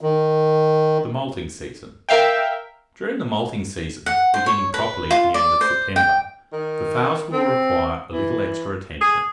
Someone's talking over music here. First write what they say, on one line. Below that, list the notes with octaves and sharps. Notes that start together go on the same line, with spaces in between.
THE MOULTING SEASON.--During the moulting season beginning properly at the end of September, the fowls will require a little extra attention.
D#3
A#4 E5 F5 G5
F#5
C5
C#5
B4
F4
D5
C5
G5
D#3
C4
E3
G#4